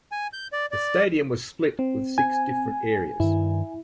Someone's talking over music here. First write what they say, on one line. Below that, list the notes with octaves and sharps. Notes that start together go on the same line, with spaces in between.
The stadium was split with six different areas.
G#5
G6
D5
D5
C4
G#5
G2 D#3 E4